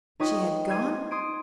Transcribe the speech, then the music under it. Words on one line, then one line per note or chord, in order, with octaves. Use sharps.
"She had gone?"
D#4 F4 B4 C#5 G5 D#6
C5 G#6 D#7
C6 D#6 G#6 D7